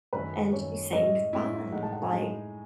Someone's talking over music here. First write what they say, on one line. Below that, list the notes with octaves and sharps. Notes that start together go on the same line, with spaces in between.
and she seemed fine. Like
F#2 D#3 A3 B4
F#2 D#3 A3 C#5
A2 G#3 C#4 E4 D#5
A2 G#3 C#4 E4
A2 G#3 D#4 F#5
A5
F#5
G#5
A2 G#3 D#4